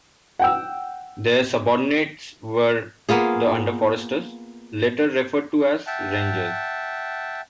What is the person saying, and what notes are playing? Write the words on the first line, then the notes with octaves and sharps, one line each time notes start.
Their subordinates were the under-foresters, later referred to as rangers.
F#5 G5 E6
A#3 B3 F4 G#4
E5 F#5 G5 A5